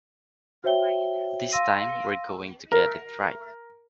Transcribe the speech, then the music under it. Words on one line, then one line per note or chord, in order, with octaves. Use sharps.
This time we're going to get it right.
F#4 C5 C#5 E5 G5 G7
F5 C6 E6 A#6 D#7
A#4